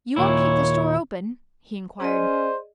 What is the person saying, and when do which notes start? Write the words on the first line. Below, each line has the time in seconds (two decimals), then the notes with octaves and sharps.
"You won't keep the store open?" he inquired.
0.16 D#2 A#2 E4 C#5
2.00 C#4 G#4 C5 D5 D#5